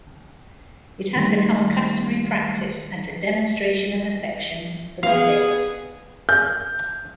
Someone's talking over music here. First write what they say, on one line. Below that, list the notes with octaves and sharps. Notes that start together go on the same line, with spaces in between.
It has become a customary practice and a demonstration of affection from a date.
D#3 G3 A3 C6
B3 G#4 F5
G6